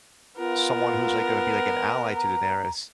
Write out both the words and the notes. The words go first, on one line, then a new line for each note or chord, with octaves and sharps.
someone who's, like, gonna be, like, an ally to Daenerys,
B3 F4 A#4
A#5